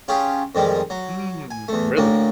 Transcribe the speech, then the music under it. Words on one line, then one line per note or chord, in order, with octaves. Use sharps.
Mm, really?
C#4 F4 G4 G#4
F2 D#3 G3 G#3
F#3
G#5
E2 A3
D2 A2 A#3